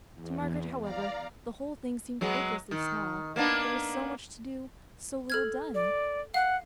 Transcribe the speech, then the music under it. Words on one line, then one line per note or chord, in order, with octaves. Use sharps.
To Margaret, however, the whole thing seemed hopelessly small: there was so much to do, so little done!
E2
D5 F5 A#5
F#3 G#3 B3
D#3
A#3 B3 D4
A4 F6 G#6
D5
F5 F#5